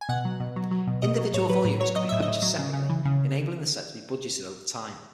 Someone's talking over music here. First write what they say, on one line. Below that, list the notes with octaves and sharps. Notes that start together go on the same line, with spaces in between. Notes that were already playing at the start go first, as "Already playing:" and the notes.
Individual volumes could be purchased separately, enabling the set to be budgeted over time.
G#5
B2 F#5
F#3
B2
F#3
F#3
B2
B2 D#5
F#3
A2 C#5
F#3 B4
A2
F#3 C#5
F#3 D#5
A2 E5
D#5
A2
F#3
C#3
C#3
E3
C#3